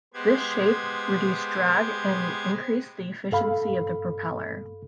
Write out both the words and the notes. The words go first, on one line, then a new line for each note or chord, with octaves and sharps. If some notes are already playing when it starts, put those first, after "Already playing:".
This shape reduced drag and increased the efficiency of the propeller.
G#3 B3 G4 B4 C5 G#6
G2 A4 F5 B5